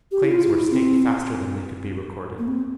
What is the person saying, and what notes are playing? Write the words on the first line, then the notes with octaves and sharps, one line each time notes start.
Claims were staked faster than they could be recorded.
G4
E4
F4
F4
E4
C4
A#3
C4